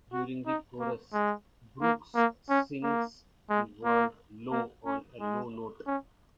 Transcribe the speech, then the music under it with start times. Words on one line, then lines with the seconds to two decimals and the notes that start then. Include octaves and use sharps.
During the chorus, Brooks sings the word "low" on a low note.
0.13 F#4
0.46 D#4
0.80 A#3
1.13 G#3
1.82 A#3
2.15 A#3
2.49 C#4
2.83 A#3
3.50 G#3
3.84 A#3
4.51 A#3
4.86 C#4
5.20 G#3
5.86 C#4